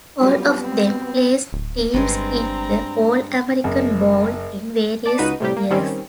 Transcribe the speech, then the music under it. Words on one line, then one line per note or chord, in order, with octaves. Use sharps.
All of them placed teams in the All-American Bowl in various years.
F#3 G3 B3 F4
C4
D1
G1 G2 G#3 C4 A#5
F#1
D5 A5 D6
C#2 D#4 F#4 B4 D#7
A2 C3 G3 G4
A#3
D#3 G3 C4 C#4